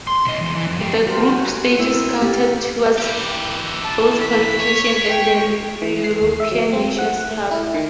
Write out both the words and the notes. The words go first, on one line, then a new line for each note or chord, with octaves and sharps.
The group stages counted towards both qualification and the European Nations Cup.
C6
B1 D#5
E2
E3
F2
F#2 G4
G3 F#4 A#4 C5
C#5 F#5 G#5
A3 A#3 C4 E4
A4 A#4
G4 D5
E3 G4
A5
B6
C#5
G5
E3
C7
D#2
E5
F#3
C4
F#5
A3
E4
D#3